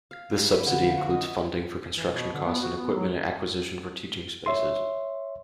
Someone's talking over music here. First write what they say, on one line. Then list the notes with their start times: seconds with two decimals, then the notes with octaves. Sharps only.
This subsidy includes funding for construction costs and equipment acquisition for teaching spaces.
0.11 F5
0.32 G3
0.51 B4
0.66 D3
0.82 F3
0.98 F#4
1.10 D#5
1.24 E5
1.97 E3
2.11 B2
2.33 D3
2.45 B3
2.62 F#4
2.77 B3
2.94 F#3
4.46 C#5 E5 C6